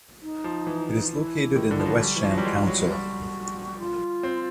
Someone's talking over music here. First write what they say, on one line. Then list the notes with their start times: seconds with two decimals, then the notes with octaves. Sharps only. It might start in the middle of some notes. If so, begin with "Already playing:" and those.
It is located in the West sham Council.
0.21 D#4
0.44 F3
0.67 E3
1.11 E4
1.56 D#3
1.71 D3
1.80 F3
1.85 F#3
2.00 G3 F#4
2.16 E3
2.23 F3
2.31 F#3
2.38 G3
2.45 G#3
2.67 F#3
2.84 G4
2.89 G3 F#4
3.79 F4
4.23 C4